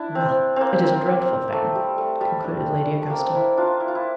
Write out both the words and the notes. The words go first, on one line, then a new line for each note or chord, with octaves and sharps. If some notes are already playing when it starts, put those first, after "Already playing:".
"Well, it is a dreadful thing!" concluded Lady Augusta.
Already playing: D4 E4
C4
A#3 C4
A#3
C4
A3
G3
A3
G3
D4
A3
A#3
C4
D4
E4
D4 F4
E4
F4
E4